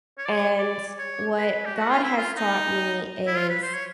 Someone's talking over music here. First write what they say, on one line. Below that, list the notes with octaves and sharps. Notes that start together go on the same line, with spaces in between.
and what God has taught me is
C#5
D5
C#5
D5
C#5
B4
G4
F#4
F4
E4
F4
D#4
E4
F4
B4
C5
C#5